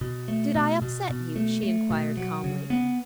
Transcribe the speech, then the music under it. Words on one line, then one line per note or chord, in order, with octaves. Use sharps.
"Did I upset you?" she inquired calmly.
B2
A3
B2
B2
B2
A3
A3
B2
F#3
C#3
B3